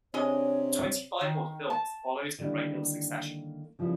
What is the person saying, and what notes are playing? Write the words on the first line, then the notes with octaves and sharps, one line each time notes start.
Twenty five odd films followed in regular succession.
C3 C#4 D4 G#4 C#5 D#5
D#3
A5
D3 D#3 G3 A#3 D4 E4
C#3 F3 G3 B3 E4